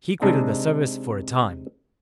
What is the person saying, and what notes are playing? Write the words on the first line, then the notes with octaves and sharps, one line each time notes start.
"He quitted the service for a time."
C3 G#3 D4 D#4